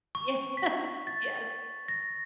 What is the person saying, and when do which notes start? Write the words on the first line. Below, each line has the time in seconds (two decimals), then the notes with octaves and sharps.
Yes, yes.
0.15 C#6
0.57 B6
1.07 A6
1.88 A#6